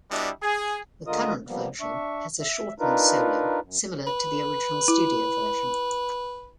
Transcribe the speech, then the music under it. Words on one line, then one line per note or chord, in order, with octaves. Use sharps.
The current version has a shortened solo similar to the original studio version.
G3 B3 D4 E4 F#4 D#5
G#4 G#5
D3 G#3 F4 A#4 D#5 D#6
F3 G3 A#3 B3
D4 E5 C#6
E5
D4 D#4 F4 A#4 B4
F#2
B4
E4